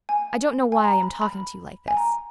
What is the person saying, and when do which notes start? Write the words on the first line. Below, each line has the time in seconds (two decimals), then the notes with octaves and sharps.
"I don't know why I am talking to you like this."
0.09 G#5
0.72 G#5
0.84 A#5
1.03 B5
1.22 B5
1.88 G#5
1.97 A#5